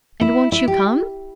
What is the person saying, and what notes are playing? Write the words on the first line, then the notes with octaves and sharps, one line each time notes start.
'And won't you come?'
E4
E4
G4